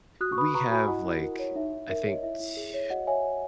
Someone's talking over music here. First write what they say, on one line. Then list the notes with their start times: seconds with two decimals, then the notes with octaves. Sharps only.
we have, like, I think, tw
0.21 F#4 D#6 F#6
0.32 C#6
0.38 B4 B5 D#6
0.55 B4 A#5 C#6
0.71 F#4 G#5 B5
0.88 E4 D#5 F#5
1.05 E4
1.22 A#4
1.39 C#5
1.55 D#4 E5
1.73 D#4
1.89 A#4 E5
2.06 C#5
2.13 D#5
2.23 E4 E5
2.40 E4
2.57 G#4
2.74 C#5
2.90 F#4 D#5 F#5
3.07 C#5 E5 G#5
3.25 C#5